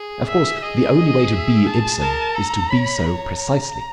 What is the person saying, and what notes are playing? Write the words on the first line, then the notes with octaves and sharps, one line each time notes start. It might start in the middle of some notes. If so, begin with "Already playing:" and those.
Of course the only way to be Ibsen is to be so precisely.
Already playing: G#4
E5
G#4 D#5
D#5
E5
A5
A#4 A5
A4 A#5
C#5 B5
C#5 A#5